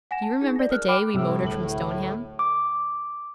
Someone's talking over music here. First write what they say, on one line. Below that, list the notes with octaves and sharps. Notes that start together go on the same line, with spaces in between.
'Do you remember the day we motored from Stoneham?
F#5 G#5 A#6 E7
A5
D#4 G#4
D5 A#6
A#4 F6 F#6
G5 B5 D6 F6 D7
A2 C3 G3 E6
D1 F#7
D6